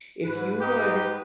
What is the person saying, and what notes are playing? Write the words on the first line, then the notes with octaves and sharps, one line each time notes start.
If you would,
G#2 B4
D#4 G4